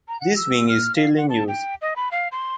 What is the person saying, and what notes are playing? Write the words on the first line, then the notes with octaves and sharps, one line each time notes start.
This wing is still in use.
A#5
F#5
E6
F6
F5
F#5
A5
G5
D#5
B5
F5
C6